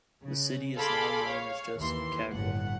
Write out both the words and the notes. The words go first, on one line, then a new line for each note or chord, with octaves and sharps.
The city is now known as just "Cagua".
C#3
G#4 A4 F5 B5 C6 D6
C#5 F5
D#2 E3 C6
G1 A2 F#5